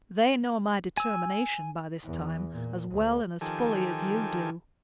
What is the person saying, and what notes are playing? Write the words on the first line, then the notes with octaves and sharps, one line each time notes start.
They know my determination by this time, as well and as fully as you do.'
G#5 E6
E2
A#2
D2
D#3 F3 G4 A4 G#5